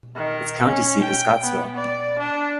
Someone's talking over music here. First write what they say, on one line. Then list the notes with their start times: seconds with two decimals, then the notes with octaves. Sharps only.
Its county seat is Scottsville.
0.16 D#3
0.66 C#4
1.03 G5
1.44 B3
1.76 D5
2.19 D4